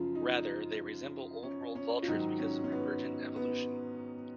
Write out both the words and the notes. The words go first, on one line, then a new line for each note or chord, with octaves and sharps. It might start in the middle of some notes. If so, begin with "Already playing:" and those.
Rather, they resemble Old World vultures because of convergent evolution.
Already playing: F#2 C#3 F3 F4
D#4
C#4
C#4
F4
G#2 D#3 F#3 D#4
C#4
C#4
B3
B3